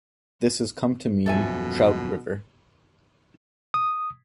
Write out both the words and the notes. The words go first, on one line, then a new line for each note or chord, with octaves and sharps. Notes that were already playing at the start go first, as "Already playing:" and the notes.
This has come to mean "trout river".
D#1 F#2 B2 F3 A4 E5 G#5
D#6